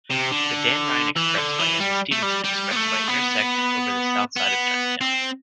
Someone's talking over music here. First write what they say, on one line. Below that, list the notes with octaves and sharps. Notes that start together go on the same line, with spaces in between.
The Dan Ryan Expressway and the Stevenson Expressway intersect over the southside of Chinatown.
C3
D3
E3
D3
E3
G3
A3
G3
G3
B3
A3
B3
B3
C4